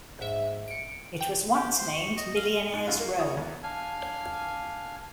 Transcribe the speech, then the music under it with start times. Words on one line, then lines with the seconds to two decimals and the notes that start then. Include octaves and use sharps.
It was once named "Millionaire's Row".
0.21 G#2 E5
0.68 C#7 D7
1.21 G5
1.54 G4
1.77 C5
1.93 C#6
2.17 D#5
2.36 F5
2.73 G#2
2.86 F#2 F4 F#6
3.00 A#3
3.18 E4 F#4 C#5 D#6
3.37 E2
3.63 D4 F5 G#5